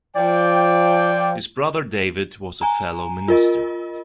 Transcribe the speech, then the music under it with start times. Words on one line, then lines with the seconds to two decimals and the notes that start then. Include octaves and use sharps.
His brother David was a fellow minister.
0.16 F3 D5 G5
2.61 G#5 A#5
3.28 F4 A#4 D#5